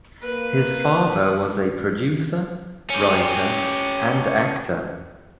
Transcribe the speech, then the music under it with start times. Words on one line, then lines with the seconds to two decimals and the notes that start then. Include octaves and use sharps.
His father was a producer, writer, and actor.
0.23 A#3 B4
2.90 C#4 G4